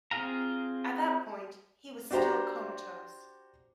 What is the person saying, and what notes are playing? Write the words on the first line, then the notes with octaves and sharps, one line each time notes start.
At that point, he was still comatose.
C4 F4 G#4 F5 A#5
D4 F#4 G4 C5 A#5